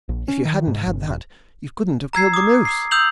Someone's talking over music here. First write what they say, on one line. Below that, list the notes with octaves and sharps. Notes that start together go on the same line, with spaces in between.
"If you hadn't had that you couldn't have killed the moose."
A#1
C#4
D#3
G#2
G1
E1
A#5 E6 G#6 C7
D6 D#6
C7
D#6 E6 G6 F7 F#7